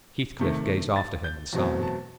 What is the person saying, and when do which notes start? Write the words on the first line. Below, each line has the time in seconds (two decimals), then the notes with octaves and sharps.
Heathcliff gazed after him, and sighed.
0.39 C3 D#3 A3
0.96 A6
1.24 G6
1.53 E2 B2 F#3 A3 C4
1.83 A5